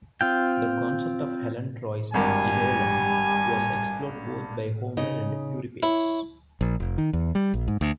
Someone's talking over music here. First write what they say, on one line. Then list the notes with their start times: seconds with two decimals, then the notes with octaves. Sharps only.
The concept of Helen of Troy's eidolon was explored both by Homer and Euripides.
0.21 C4 F4 G5
2.14 G#1 G2 G3 A#4 G#5
4.97 C#3 D#4 D#5
5.83 E4 C#5
6.61 A#1
6.80 F1
6.98 D#3
7.13 E2
7.35 G3
7.54 A#1
7.68 G#2
7.81 D2